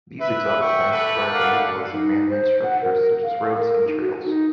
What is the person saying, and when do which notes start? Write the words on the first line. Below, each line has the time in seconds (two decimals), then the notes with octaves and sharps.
These exotic plants thrive by utilizing manmade structures such as roads and trails.
0.20 B4 E5
0.62 F#5 G5 C#6
0.92 G4 A4 B4
1.30 A#4 D5 F5 F#5
1.92 D#4
2.29 C5
2.63 F#5
2.82 A#4
3.24 F5
3.57 A#4
3.87 D#4
4.00 F#4
4.25 D#4